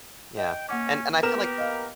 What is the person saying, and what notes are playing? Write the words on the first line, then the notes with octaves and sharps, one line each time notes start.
yeah, and and I feel like
D#5 G5
A#3 C#4 F#5 D6
B3 G4 A#4 E7
D#5 F5